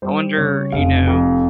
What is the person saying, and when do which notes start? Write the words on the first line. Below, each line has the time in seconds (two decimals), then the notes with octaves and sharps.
I wonder, you know
0.02 G3 C5
0.37 C#3 C#5
0.72 F1 F5
1.07 F2